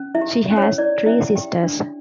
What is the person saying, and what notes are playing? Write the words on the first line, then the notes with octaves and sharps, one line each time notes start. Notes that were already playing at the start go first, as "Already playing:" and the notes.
She has three sisters.
Already playing: C#4
E4 E5
G4
C#4
C#5
E4 D5
C#4 E4 E5
G4 G5
D4